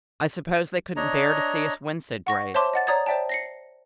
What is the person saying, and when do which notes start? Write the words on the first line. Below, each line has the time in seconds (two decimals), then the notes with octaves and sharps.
"I suppose they couldn't bear to see us win," said Grace.
0.96 D4 C#5 D#5 A#5
2.27 F#5 C#6 A#6
2.54 C5 C#5 E5 A5 C6 D6
2.73 D#5 F#5 A6
2.87 C#5 D5 A#5 D#6 G#6 A6
3.06 C5 D5 E5 G5 A5
3.29 A#6 C7 C#7